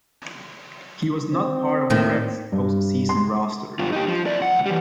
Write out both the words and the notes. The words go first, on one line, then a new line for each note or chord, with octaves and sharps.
He was not part of the Reds' post-season roster.
C4
D#2 A2 D#3
G2
C6
G2 F4
D#4 G4
F3
E4 D5
C#2 F#5
E3 G3